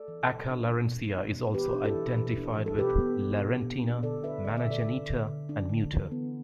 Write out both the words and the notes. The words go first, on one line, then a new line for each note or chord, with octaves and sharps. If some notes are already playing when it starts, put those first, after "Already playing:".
Acca Larentia is also identified with Larentina, Mana Genita, and Muta.
Already playing: A4 D5
E3
B2
D4
B2
B2
D4
B2
E3 G4 B4
D4
E4 A4
E3
E3
D4
E3
A4
B2 G4 B4
B3
D4
B2
B3
D4
D3 A4 D5
D4 B4 E5
D3 D5
E5
D3
A4 D5
D4
D3
D3
D4
D3
E3
B3